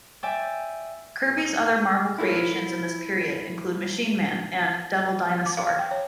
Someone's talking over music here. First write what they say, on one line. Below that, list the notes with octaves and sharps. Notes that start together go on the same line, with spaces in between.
Kirby's other Marvel creations in this period include "Machine Man" and "Devil Dinosaur".
D5 E5 G5 G#5 D6
E4 F4 A4 A#4 C#5
D6
F5
G5
C#5